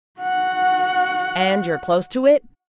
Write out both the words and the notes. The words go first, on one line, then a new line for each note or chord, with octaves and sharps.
"And you're close to it?"
F#4 F#5